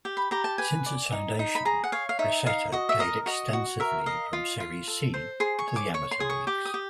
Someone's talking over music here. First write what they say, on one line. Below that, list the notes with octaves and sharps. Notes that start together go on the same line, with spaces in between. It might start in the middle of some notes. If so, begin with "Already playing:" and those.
Since its foundation, Grosseto played extensively from Serie C to the amateur leagues.
G4
B5
G4 A#5
A5
B4 G#5
D5
D#4
D#4
B5
G#4 A#5
F#5
C#5 F5
F5
D#4 E5
D#4 F5
F#4 D#5
E5
A#4 D#5
F#4 D#5
F#4
A#4 E5
D#5 F5
F4
F4
A4
C5
G#4 C6
C#6
C#5
D6
C#5 C#6
C6
G#4
C#6
G4 D6
D#6
G4